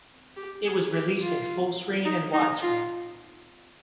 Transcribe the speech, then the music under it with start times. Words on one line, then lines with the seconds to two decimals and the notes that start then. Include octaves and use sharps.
It was released in Full Screen and Widescreen.
0.37 G4
0.65 G#4
0.93 G4
1.21 F4
2.05 D#4
2.33 D#4
2.62 F4